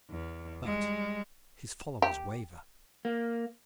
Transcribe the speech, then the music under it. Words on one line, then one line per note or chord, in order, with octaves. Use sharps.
But his followers waver.
E2
G3 G#3
G4
A#3